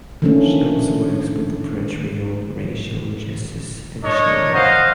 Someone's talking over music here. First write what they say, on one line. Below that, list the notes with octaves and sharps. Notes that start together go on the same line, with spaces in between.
She also works with the Pretrial Racial Justice Initiative.
D#3 F3 A3 A#3 C#4 D4
D4 A#4 C#5 D#5
C5 D#5 F5 F#5